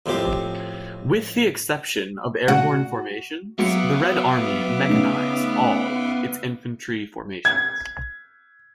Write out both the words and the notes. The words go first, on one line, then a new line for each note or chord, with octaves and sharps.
With the exception of airborne formations, the Red Army mechanized all its infantry formations.
F2 A2 C4 G4 F5
F#4
F#3 B3 E5 F5 D6 C#7
C#3 A3 D#4
G#6